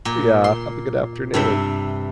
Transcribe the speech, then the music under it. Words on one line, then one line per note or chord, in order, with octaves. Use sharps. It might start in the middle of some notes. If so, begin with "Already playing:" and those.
Yeah, have a good afternoon.
A#2
C6
G2 C3 E5